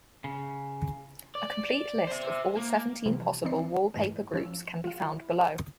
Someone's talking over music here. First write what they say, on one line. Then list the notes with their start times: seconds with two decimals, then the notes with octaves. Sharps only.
A complete list of all seventeen possible wallpaper groups can be found below.
0.24 C#3
1.35 D5
2.07 C5 E5
2.57 A#3
3.06 C3 E3 F3 G3
3.44 E3 C4 D#4 D5 C7
3.94 G#2 E3 G#3
4.34 F3 C#4 E6
4.84 F4 F5
5.01 E4